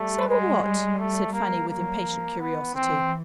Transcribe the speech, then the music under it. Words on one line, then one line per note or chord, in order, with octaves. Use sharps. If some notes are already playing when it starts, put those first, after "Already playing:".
'Sarah what?' said Fanny, with impatient curiosity.
Already playing: G3 A3
G#3
G#3
A3
A#3
F#3 A#3
F3
E3 B3
E3 C4